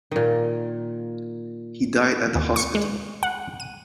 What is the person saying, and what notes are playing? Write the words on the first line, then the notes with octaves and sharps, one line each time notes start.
He died at the hospital.
A#2 D#3
D#2
C#6
G#3
F#5
D#7